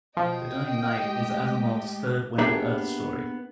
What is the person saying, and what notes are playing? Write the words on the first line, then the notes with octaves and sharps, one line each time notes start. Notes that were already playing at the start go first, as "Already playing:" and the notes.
"The Dying Night" is Asimov's third Wendell Urth story.
B2 F3 D#5 G5
G#3 A3 G4
A#3 B3 D4 G4 G#4 E5